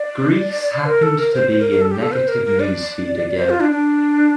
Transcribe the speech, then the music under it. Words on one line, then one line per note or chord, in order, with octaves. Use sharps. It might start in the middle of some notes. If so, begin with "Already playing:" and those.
Greece happened to be in negative news feed again.
Already playing: D5
A#4
A4
A#4
C5
C5
A#4
A#4
A4
G4
A4
C5
A#4
A#4
D5
C5
F4
D4
D4